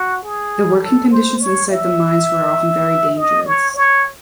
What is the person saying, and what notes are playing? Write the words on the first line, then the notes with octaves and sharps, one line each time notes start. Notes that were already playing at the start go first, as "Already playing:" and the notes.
The working conditions inside the mines were often very dangerous.
Already playing: F#4
G#4
A4
C5
C#5
E5
D#5
C#5
C#5